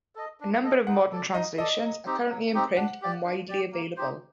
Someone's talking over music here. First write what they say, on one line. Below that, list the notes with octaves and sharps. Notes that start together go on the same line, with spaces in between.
A number of modern translations are currently in print and widely available.
A4 D#5
D4
A4 D#5
D#4 F#5
A4 D5
D#4 D#5
A4 D5 D#5
F#3
C4 D#4 G4
F#3
C4 D#4 G4
D4 F#5
G4 D5
D4
G4 D5
A#3
D#4 G4 C5